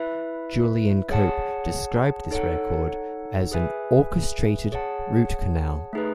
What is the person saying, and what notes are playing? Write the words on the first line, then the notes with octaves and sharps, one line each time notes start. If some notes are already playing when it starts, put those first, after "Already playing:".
Julian Cope described this record as an "orchestrated root-canal".
Already playing: E4 B4 E5
G#4 C#5 F#5 A5
D#4 A4 C#5 F#5
G#4 B4 E5 G#5
G#4 C#5 F#5 A5
A3 D#4 G#4 B4